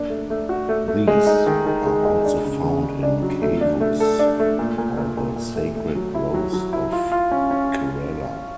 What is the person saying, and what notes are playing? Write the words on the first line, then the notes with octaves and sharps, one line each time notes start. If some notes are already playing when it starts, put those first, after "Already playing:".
These are also found in ""Kavus"" or the Sacred Groves of Kerala.
Already playing: A#3 D4
A3
A3
F#4
A3
A3
G#3
D#4
D#3
D#3
G#3
G#3
D4
C#3
C#3
C#3
D4
F#3
A3
D4
A3
A4
D4
A3
A#2
A#2
A#2
A#2
A#2
A3
A3
F#3
E4
F#3
F#3
E4
F4
F4
C#4
C#4